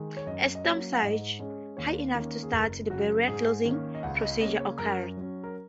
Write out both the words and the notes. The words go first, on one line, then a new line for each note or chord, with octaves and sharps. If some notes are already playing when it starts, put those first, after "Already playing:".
A storm surge, high enough to start the barrier's closing procedure, occurred.
Already playing: D#3 G#3
C#5
F#2 D#5
D#5
F#3 A#3 C#4 C#5
F#5
G#2 D#5
G#3 C#4
D#2 C#5
D#3 A#3 C#4
G#4
F#1 A#4
F#2 C#3 F#4
G#2 G#4
D#3 A#3 C#4
D#5
C#2 F#5
D#5
C#3 A#3 C#4 D#5
C#5
F#2 A#4
F#3 C#4
A#4